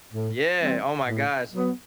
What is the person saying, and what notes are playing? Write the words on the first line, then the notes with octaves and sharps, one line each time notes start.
Yeah! Oh, my gosh.
A2
E3 G3 C4
A2
F#3 B3